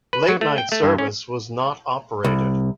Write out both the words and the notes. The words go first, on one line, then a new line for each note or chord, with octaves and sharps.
Late night service was not operated.
B4
F#3
A3
G5
A3
G2
C#4
C2